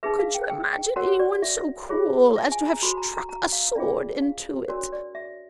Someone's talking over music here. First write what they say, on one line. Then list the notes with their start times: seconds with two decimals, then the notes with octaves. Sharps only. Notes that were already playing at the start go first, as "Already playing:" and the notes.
Could you imagine any one so cruel as to have struck a sword into it?
0.03 D#4 G#4 B4 E5
0.19 F5
0.35 G5
0.50 G5
0.73 G5
0.96 F#4 A#4 C#5 F#5
1.20 D5
1.42 E5
1.89 F4 G#4 C#5
2.36 E5
2.52 G#5
2.67 A#5
2.83 F#4 A4 C5 B5
2.97 A#5
3.14 A#5
3.29 A#5
3.53 F5
3.75 C#4 F4 G#4 D5
4.22 F5
4.68 D4 F#4 A#4 C#5 D5
4.92 D5
5.15 E5